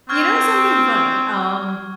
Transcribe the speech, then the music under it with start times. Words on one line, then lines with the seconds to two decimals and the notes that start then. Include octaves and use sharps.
You know something funny, um,
0.09 C4 C#6 F6 G#6